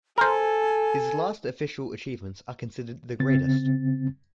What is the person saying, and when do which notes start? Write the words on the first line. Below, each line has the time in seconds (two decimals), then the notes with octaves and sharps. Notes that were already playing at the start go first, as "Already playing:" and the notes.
His last official achievements are considered the greatest.
0.18 A4 A#4 C5 G#5
3.20 C#3 C4 A6